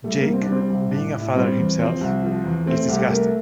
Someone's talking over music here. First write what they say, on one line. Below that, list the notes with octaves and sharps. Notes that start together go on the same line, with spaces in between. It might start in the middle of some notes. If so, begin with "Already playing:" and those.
Jake, being a father himself, is disgusted.
G3 A3
A#3
C2
C4
D4
G3 C4
C2
A2 D4
A2
G3 C4
E2
F3 C4
C2
F3
E2
A3 C4
C2 G4
A3 A#4